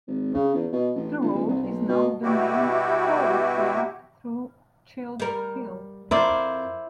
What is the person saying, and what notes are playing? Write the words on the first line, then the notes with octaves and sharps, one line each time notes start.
The road is now the main thoroughfare through Childs Hill.
G#1
C#3
E2
B2
A1
G1
D#1
C2
B1
B2
B2 G3 E4 F#4 G4
G3 A#4
F2 E4 A#4 C5 D5